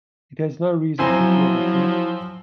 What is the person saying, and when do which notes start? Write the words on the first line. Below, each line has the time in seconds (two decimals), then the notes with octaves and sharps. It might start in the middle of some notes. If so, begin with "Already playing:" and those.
It has no reason to fear the truth.
0.99 F3 F#3 C4 E4 C5 G#5 A#5